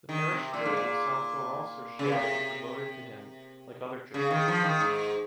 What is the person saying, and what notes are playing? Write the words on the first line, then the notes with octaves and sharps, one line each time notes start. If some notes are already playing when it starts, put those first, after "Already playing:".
The parish church of Saint-Florent-sur-Cher is devoted to him, like other churches in France.
D#3
C3
A#2
G#2
A#2
C#3
C3
C#3
D#3
F3
D#3
G#2